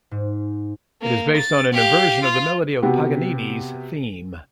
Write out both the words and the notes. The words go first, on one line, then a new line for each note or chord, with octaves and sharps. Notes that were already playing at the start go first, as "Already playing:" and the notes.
It is based on an inversion of the melody of Paganini's theme.
G#2
A#3
A6
G4 F5
F4
C3 B3 F#4 G4